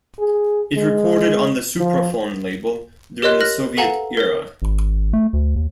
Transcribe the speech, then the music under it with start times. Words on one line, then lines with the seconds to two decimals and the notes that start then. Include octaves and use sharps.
It recorded on the Supraphon label during the Soviet era.
0.19 G#4
0.76 G#3
1.78 F3
3.22 G4 A#4 C#5 D#5 C6 F#6
3.40 F6 F#6 A#6 F#7
3.77 A4 B4 F5 F#5 G#5 A#5
4.17 A#4 C#5
4.62 G#1
5.13 A3
5.33 D2
5.56 D#2